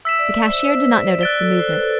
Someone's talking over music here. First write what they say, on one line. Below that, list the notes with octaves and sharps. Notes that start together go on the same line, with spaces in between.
The cashier did not notice the movement.
E5 E6 B6 E7
D5
C5
D5
C5
B4
D5
D5
D5 F#6 A6 D7 G7
A4
C5
B4
A4